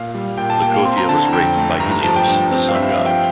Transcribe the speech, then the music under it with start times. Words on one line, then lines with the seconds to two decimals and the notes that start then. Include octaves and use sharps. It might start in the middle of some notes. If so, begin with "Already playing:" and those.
Leucothea was raped by Helios, the sun god.
Already playing: A#2 F5
0.15 G3
0.38 A#2 G5
0.50 A5
0.61 A#3 G5
0.74 F5
0.85 C4 C6
0.97 A#5
1.09 D3 A5
1.33 F2 G5
1.57 A3
1.80 G2 A#5
1.91 A#5
2.03 F3 A5
2.16 G5
2.28 G2
2.51 C4
2.69 F5
2.75 G2 E5
2.90 F5
2.98 F3
3.06 G5